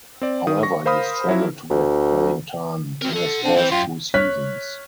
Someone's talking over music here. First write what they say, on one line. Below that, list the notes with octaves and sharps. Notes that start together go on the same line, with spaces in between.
However he struggled to get playing time in his first two seasons.
C4 D5
D#3 D#6
C#6 A#6
A#4 C5 F5 B5 D#6 F6
F3 F#3 E4
D2
C4 F#4 A#4
A4 F#5 C6
C4 D4
E3 C5
F#2 F4 G5
C#5 F6 F#6 B6